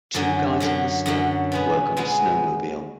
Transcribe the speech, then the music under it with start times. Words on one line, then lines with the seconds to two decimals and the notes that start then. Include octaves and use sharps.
Two guys in the snow work on a snowmobile.
0.14 F#2 D3 F#3
0.60 F#2 D3 F#3
1.06 F#2 D3 F#3
1.52 B2 G#3 B3
1.97 B2 G#3 B3